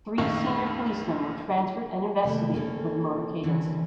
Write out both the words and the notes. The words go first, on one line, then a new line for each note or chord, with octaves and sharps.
Three senior policemen were transferred and investigated for the motorcade incident.
A#1 F2 D#3 A3 A#3 C#6
C3 D#3 A3 A#3
A#3 C4 C#4 A4
D3 E3 G3 C4 C#4